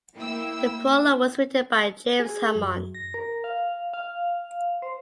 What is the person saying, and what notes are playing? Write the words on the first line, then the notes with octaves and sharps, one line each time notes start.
The prologue was written by James Hammond.
A#3 E4 G5 E6
G#4
F#2
A#6
A#4
F5
F5
C5